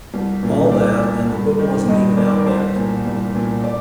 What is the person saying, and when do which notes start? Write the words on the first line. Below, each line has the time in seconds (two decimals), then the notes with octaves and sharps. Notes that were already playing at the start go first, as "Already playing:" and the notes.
All that, and the book wasn't even out yet.
0.14 C2
0.43 A#2
0.72 C2 D5
1.01 A#2
1.30 G2
1.59 D#3
1.88 G2 D#5
2.17 D#3 D5
2.38 A#4
2.46 C2 C5
2.76 A#2
3.05 C2
3.35 A#2
3.64 D5